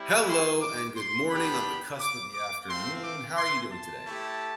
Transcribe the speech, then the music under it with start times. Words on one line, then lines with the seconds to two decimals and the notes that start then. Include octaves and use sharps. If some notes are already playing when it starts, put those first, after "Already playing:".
Hello, and good morning on the cusp of the afternoon. How are you doing today?
Already playing: G3 C4 E4 G4
0.27 C6
0.62 D6
0.96 C6
1.30 B3 D4 G4 B5
2.00 D6
2.34 D6
2.68 A3 C4 F4 C6
3.03 D6
3.37 C6
3.72 A5
4.06 A3 E4 G4